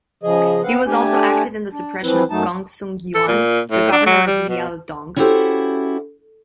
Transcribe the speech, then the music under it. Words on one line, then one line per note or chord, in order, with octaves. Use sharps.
He was also active in the suppression of Gongsun Yuan, the governor of Liaodong.
C#3 F3 G#4 D#5
B3 C4 B4 F5 F#5
A3 D4 G4 G#5
D4
E3 F3 C4 E4 B4
F#2 F#3 A3 D#4 A5
A4
A#2
A2
D4
F#3
G3
B2
C#4 E4 F#4 G4 A4 C5